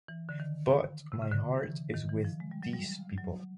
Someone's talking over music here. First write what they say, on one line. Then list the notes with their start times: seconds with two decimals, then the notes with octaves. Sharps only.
But my heart is with this people.
0.08 E3
0.29 D3
0.40 D#3
1.12 C3
1.22 C#3
1.32 D3
1.63 E3
1.94 D#3
2.09 E3
2.25 F3
2.40 G#3
2.51 G3
2.63 F#3
2.73 G3
3.18 F#3